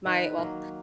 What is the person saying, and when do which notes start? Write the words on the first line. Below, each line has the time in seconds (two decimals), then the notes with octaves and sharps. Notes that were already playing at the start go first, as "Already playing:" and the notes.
my, well
0.06 D#3 B4
0.38 F#3 A#3